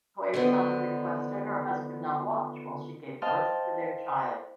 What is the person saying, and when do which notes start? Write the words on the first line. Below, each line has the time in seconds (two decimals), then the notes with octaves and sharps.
Toyotama requested her husband not watch while she gave birth to their child.
0.34 D3 D#3 F3 B3
3.22 C5 D#5 F5 G5 A5